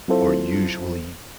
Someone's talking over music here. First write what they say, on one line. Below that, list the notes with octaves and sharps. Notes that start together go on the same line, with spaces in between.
or usually
F#3 C4 E4 F4 A4 C5